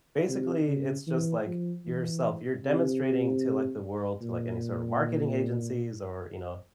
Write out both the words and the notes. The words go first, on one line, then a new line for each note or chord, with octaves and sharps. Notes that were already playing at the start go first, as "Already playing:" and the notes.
Basically, it's just, like, yourself you're demonstrating to, like, the world, to, like, any sort of marketing agencies, or, you know,
C3
C#3
E3
F3
E3
C3
A#2